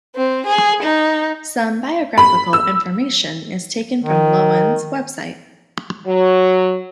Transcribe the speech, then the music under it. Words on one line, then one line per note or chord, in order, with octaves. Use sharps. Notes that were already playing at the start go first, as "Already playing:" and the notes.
Some biographical information is taken from Loewen's website.
C4
G#4
D#4
B5
E6
D#3
F#3